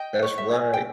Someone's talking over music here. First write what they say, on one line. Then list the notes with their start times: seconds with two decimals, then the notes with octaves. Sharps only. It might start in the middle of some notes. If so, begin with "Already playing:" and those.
that's right.
Already playing: D#5 G5
0.22 C#5
0.38 E5
0.52 G#4
0.74 G5